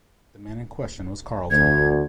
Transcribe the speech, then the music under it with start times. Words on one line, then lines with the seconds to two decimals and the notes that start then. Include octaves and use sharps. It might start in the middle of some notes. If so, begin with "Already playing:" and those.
The man in question was Carlton.
1.51 D2 G#6